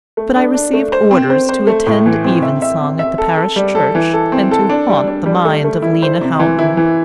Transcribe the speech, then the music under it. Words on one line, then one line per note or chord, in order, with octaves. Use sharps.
But I received orders to attend evensong at the parish church, and to haunt the mind of Lena Houghton.
A3
D4
D4
A3
C5
C4
C5
C5
A3
A2
E3
C4
E5
E5
C4
E5
A4
A4
G3
A4
E3
A4
C4
A4
D4
G3
D4
G3
A3
A3
E4
C5
C3
E3
E4
E3